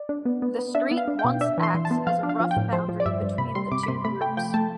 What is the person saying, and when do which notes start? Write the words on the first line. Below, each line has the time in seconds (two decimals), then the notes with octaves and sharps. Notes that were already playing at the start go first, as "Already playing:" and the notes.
The street once acts as a rough boundary between the two groups.
Already playing: D5
0.09 D4
0.25 B3
0.42 B3
0.59 B3
0.75 D4 E5
0.91 B3
0.97 F5
1.08 D4
1.19 G5
1.24 B2
1.41 D4 E5
1.58 E3
1.63 C6
1.74 E3
1.85 A5
1.91 B3
2.07 F3 F5
2.23 D4
2.29 F5
2.40 F3
2.51 G5
2.56 A2
2.73 F3 C5
2.89 F3
3.00 D5
3.06 G2 E5
3.22 G2
3.38 C3 B5
3.55 G3 C6
3.72 C3 D6
3.83 B5
3.88 C3 C6
4.04 A3 B5
4.21 A3 G5
4.37 F3 G5
4.54 A3 A5